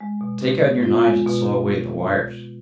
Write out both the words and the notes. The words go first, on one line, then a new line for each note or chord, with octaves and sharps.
Take out your knives and saw away at the wires.
G#3
B2
B2
B3
F4
G#3
B2